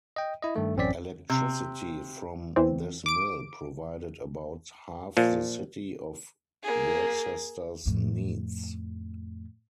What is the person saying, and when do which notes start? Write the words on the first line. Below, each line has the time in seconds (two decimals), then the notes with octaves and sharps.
Electricity from this mill provided about half the city of Worcester's needs.
0.16 D#5 G5
0.42 E4 D#5
0.56 G2 D#3 A3
0.76 A1 F#2 C4 C#4 D5 B6
1.30 C3
2.56 E2 E3 C4
3.06 D6 D7
5.17 A#2 F3
6.63 A#3 G#4
7.86 F2 A2